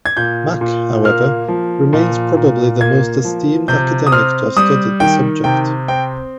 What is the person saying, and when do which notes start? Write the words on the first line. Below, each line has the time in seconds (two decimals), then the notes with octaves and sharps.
Mack, however, remains probably the most esteemed academic to have studied the subject.
0.06 G#6
0.17 A#2 G6
0.61 A#2
1.04 A#3 F6
1.48 F3
1.93 A#2
2.37 A#2
2.80 A#3 G#6
3.25 F3
3.68 C3 G6
4.07 D#6
4.12 C4 F6
4.56 G3 D#6
5.00 D#3 G5
5.44 C3 G5
5.88 C4 G5